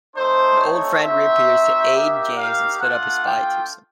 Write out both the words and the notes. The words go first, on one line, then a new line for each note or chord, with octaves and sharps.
An old friend reappears to aid James and split up this spy twosome.
A3 C4 D#4 C5
C#5
C4 D#4 F#4 E5
A#3 D#4 G4
F5
A3 D4 F4 F#5
G5